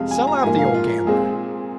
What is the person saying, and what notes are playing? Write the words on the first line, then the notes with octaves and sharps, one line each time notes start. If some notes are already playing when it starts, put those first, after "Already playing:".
'Sell out the old gambler!
Already playing: F2 C3 G#3 F5
G#5
A#5
G#2 F3 A#3 G#5
F5
F4
A#2 G#3 C4 G#4